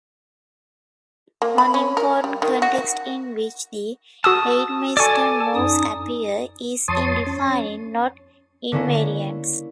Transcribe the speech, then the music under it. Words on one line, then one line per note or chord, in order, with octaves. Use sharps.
One important context in which the Reidemeister moves appear is in defining knot invariants.
A#3
B5
C#4
A#4
G3
D#3
F#4
F#4 A5 D#6 E6
A4 D5 G#5 A5 C#6 G#6 A6
F#2 D#4 D#6
F2 C#5 A5 C6 D#6
C#4
D3 A#3 C#4 E4